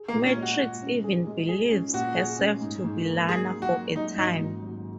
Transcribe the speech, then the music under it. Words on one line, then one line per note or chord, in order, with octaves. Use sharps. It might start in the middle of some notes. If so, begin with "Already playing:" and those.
Matrix even believes herself to "be" Lana for a time.
Already playing: G#4
A#3
A#2
C#4
G#3
F#4
A#2
C#4
G#4
G#3
G#4
C#4
A#2 F#4
G#4
C#4
G#2
G#2
A#3
A#3 G#4
F#3
F#4
A#3
F#3 D#4
G#1 D#4
G#1
F#3